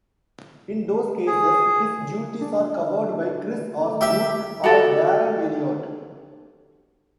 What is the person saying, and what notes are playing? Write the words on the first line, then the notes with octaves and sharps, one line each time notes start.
In those cases, his duties are covered by Chris Osgood or Darren Eliot.
G#4
D4
A3
G4 E5
F#4 G4 A4